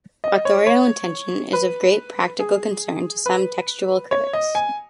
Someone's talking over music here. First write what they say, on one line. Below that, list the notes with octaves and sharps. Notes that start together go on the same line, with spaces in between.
Authorial intention is of great practical concern to some textual critics.
D#5
C#5
C#5
B4
G#4
B4
C#5
D#5
G#5